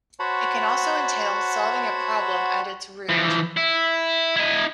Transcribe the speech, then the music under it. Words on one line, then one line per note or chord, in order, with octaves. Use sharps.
It can also entail solving a problem at its root.
F#4 C5 C#5 F#5 A5 B5
E3 F3
E4
E4 D#5